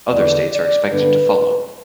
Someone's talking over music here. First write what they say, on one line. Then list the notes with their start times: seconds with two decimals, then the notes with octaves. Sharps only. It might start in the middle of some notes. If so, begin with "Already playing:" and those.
Other states are expected to follow.
0.11 E2 D3 B3 D4 D5
0.51 D5
0.89 G2 D3 B3 D4 B4